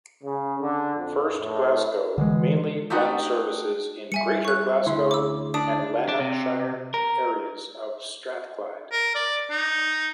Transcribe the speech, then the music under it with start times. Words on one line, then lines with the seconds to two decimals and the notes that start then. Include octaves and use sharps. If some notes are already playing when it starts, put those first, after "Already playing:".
First Glasgow mainly run services in Greater Glasgow and Lanarkshire areas of Strathclyde.
0.24 C#3
0.60 D3
0.97 F2
1.37 A2
2.18 D3 E3 G#3
2.90 A3 D4 D#4 F#4 G4
4.12 G3 E5 G#5 C#7
4.45 C#6 F#6
4.87 D2 E4 C6
5.11 D6 E6
5.54 D4 D#6
6.08 D4
6.20 C3
6.94 A#4
8.92 A#4
9.15 D5
9.50 D#4